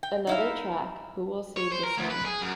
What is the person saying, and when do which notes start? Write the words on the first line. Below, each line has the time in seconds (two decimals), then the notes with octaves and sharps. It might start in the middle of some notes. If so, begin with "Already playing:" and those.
Another track, Who Will Save the Sane?
0.03 G5
0.27 D#4 E4 F5
1.57 C#5
1.72 C5
1.84 A#4
1.98 D2
2.10 B4
2.25 G#4
2.41 F#2